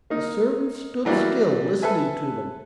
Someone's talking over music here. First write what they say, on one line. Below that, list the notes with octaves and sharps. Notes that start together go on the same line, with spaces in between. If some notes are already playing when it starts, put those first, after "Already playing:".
The servant stood still listening to them.
A#3 D#4
E3 F#3 G3 A#3 E4
A4 B4 E5 G#5